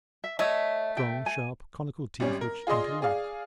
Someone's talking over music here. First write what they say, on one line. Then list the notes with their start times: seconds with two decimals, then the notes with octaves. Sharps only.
Strong sharp conical teeth which interlock.
0.24 E5
0.39 A3 C#5 D#5 E5
0.97 E5 G5
1.26 G#5
2.20 G#1 G3 C#4
2.41 A#4
2.67 F4 G#4 D5 D#5 C6
3.02 G#4 D5 F5